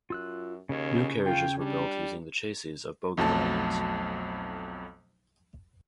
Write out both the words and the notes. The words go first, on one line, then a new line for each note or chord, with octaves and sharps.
New carriages were built using the chasses of bogie wagons.
F#2 F4 E6 F#6
D#2 C#3 C#4 C#5
F4 G5
G3 D4
B1 F2 F#3 A3 A5